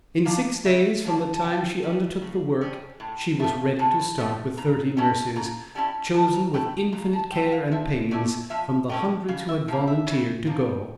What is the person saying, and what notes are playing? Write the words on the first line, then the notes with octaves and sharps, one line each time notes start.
In six days from the time she undertook the work she was ready to start, with thirty nurses, chosen with infinite care and pains from the hundreds who had volunteered to go.
F3 A#3 D4 F5
C#3 E5
F3 A#3 D4
A5
C#3 G5
G3 C#4
C#3
G3 C#4
A2
F3 A3
A2 A5
F3 A3
C#3 A#5
G3 C#4 E4 A5
C#3 A#5
G3 C#4 E4 A5
A#2 A5
A#5
A3 E4 G5
A#2 A#5
A5
A3 E4 G5
F5
F3 E5
A3 C#4 E4 D5
F3 E5
A3 C#4 E4 G5
C#3 F5
E5
F3 A#3
E5
C#3
F3 A#3